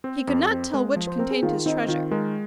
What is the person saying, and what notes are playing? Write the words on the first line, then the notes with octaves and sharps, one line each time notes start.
He could not tell which contained his treasure.
C4 C5
F2
A#4
C4
G#3 A#4
F3
C5
C4 A#4
G#4
D#3 F4
C4 D#4
D#3 F4
G#3 A#4